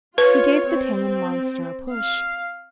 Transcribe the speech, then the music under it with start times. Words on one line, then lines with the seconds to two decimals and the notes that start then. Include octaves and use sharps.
He gave the tame monster a push.
0.18 F4 B4 C#5
0.70 C4
1.89 F5